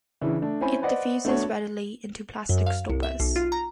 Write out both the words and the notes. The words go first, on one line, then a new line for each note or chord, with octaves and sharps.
It diffuses readily into plastic stoppers.
C#3 E3 D4 E4
A3 D4
C4 C#4 E4 G#5 B5
B4 C5 D5 D#5 F#5
A3 B3 D4 F#4 C#5
F#2
F5
C2
E5
B1
F4
A#5